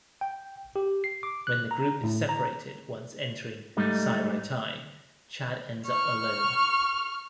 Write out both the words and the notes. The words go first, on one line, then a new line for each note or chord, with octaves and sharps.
When the group is separated once entering "Seireitei", Chad ends up alone.
G5
G4
C7
D6
F#6
A#5
A2
A#5
G#2 G3 A3 D#4
C#6 F6